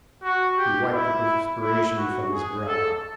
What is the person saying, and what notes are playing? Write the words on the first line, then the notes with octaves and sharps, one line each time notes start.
He wiped the perspiration from his brow.
F#4
G4
E4
E4
F#4
G#4
A4